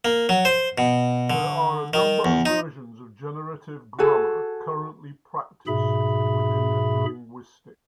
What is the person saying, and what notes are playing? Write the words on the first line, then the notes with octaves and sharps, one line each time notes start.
There are a number of versions of generative grammar currently practiced within linguistics.
A#3
F#3
C5
B2
D3
D#3
E2
D#4
F#4 G#4 A4
G#2 B2 G#4 E5 B5